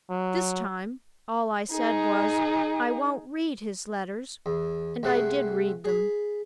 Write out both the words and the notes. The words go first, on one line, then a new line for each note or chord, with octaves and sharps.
This, time, all I said was, 'I won't read his letters!' And I did read them.
F#3
D#4 G#4
E2
C2 A3 G#4 F#5 G#5 C6
G#4 B5